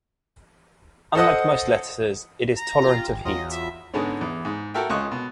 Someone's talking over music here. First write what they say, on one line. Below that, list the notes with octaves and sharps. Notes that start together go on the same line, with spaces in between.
Unlike most lettuces, it is tolerant of heat.
A4 C5 D#5 F#5 D#6
A#5
F4 G4
G#1 G#5
E2 F#3 F4 D#5
E5
G#2 D3 G#3 B3 C#4
E2
G#2
F#4 A4 A#4 E5 G5
C#2 F4 D#5 C#6 F#6
B2